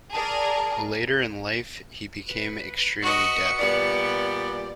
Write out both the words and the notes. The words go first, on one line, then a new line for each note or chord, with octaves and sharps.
Later in life he became extremely deaf.
G#4 A#4 D5 A5
B4
F#4 B4 D#5 C#7
A#2 G3 B3 D5